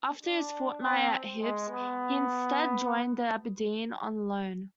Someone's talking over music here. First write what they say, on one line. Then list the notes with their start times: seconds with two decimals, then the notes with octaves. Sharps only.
After his fortnight at Hibs, he instead joined Aberdeen on loan.
0.23 D4
0.81 C4
1.40 G#3
1.69 B3